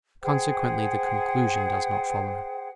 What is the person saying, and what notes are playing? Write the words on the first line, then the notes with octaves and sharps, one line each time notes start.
Consequently the conclusion does not follow.
G#4 C5 F#5 G5